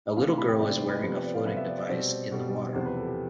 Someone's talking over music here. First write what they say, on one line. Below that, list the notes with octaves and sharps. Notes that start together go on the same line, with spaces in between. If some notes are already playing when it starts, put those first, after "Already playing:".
The little girl is wearing a floating device in the water.
C3 E3 A3 C4 F5
C6
B5
G5
C3 E3 A3 C4 D5
D5
C5
B4
C3 F3 B3 B4
B4
D5
F5
C3 F3 B3 E5
E5
D5
D5
B2 G3 C4
B2 G3 C4
E2 C3 F3 C5
B4
A4
G4